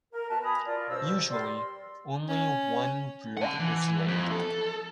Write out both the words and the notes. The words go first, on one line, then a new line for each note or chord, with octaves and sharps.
Usually, only one brood is laid.
A#4
B2 B4 A5
G#5 A#5 B5 D#6
F4 A#4 D5
C#2 G2 B2 C5 E6
G3 A#4 D5 C6
C#4
F#5 A5
E3
F2
A4